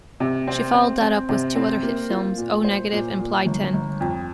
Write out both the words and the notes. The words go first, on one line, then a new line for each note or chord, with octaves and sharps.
She followed that up with two other hit films, O-Negative and Plai Tien.
C3
C4
C4
C4
C3
C4
A#3
F4
A#2
C5
A#2
A#2
G1
G1
F2